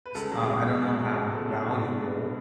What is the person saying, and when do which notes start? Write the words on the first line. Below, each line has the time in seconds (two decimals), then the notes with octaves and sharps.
s uh, I don't know how valuable,
0.06 B4
0.15 C#2 A4
0.31 F#3
0.37 G#4
0.48 B2
0.65 C#2
0.82 C#2 G#4
0.99 F#3
1.15 B2
1.32 C#2 A4
1.40 G#4
1.49 B1 F#4
1.66 F#3
1.82 B2 D4
1.99 B1
2.16 B3